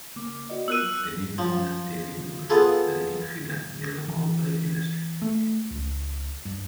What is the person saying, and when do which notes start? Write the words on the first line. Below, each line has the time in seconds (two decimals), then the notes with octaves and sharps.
The name honors David Murray, a leading figure in the local olive industry.
0.16 C#3 A#3 D6
0.49 F#4 D5 D#5
0.68 B3 F4 A#4 E6 F#6 D#7
0.83 F#3
1.38 F3
2.50 B3 F4 G#4 A4
4.08 E3
5.22 A3
5.71 C#2
6.45 G2